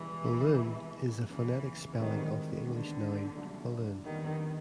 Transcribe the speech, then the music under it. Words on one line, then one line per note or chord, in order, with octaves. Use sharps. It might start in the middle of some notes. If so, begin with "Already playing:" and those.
"Buhloone" is a phonetic spelling of the English noun "balloon".
Already playing: C#2 B2 E3 G3
C2 B2 G#3
F#1 E2 C#3 E3
G#1 G#2 D#3 E3 G3 C4
D#2 D3 D#3 G#3 B3
C2 A#2 F#3 A#3 D4
F2 D3 D#3 G3 B3